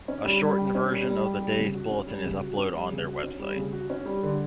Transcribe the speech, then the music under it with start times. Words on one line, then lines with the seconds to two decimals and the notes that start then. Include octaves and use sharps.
A shortened version of the day's bulletin is upload on their website.
0.08 C#4
0.25 G3
0.41 G3
0.57 G4
0.75 C#4
0.92 G3
1.08 G3
1.25 G4
1.40 G3
1.58 C#3
1.74 F#4
1.91 C#4
2.07 G3
2.24 C#3
2.41 F#4
2.57 C#4
2.73 G3
2.91 C#3
3.06 F#4
3.23 C#4
3.40 G3
3.56 C#3
3.73 F#4
3.90 C#4
4.06 G3
4.23 D3